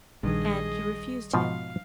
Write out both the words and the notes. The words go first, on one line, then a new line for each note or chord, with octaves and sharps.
'And you refused him?'
A#1 G2 D#3 G#4 D#5
G#2 B2 F3 F5